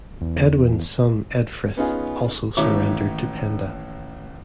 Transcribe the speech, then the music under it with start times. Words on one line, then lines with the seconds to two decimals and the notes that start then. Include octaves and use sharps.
Edwin's son Edfrith also surrendered to Penda.
0.21 E2
1.77 B3 C#4 D#4 F4 G#4
2.57 A1 D#2 A2 C#5 E5 D6